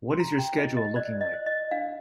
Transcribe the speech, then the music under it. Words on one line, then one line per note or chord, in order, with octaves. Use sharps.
What is your schedule looking like?
C6
F4 A#5
G5
F4 D#5
D#5
C5 D5
D#5
C5
D#5
D4 F5